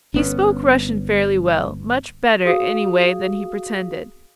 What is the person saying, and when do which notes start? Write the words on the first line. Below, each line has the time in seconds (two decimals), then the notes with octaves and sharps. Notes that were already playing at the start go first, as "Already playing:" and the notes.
He spoke Russian fairly well, much better, anyway, than he pretended.
0.14 G1 B3 C#4
2.45 F#4 G#4 F5 D#6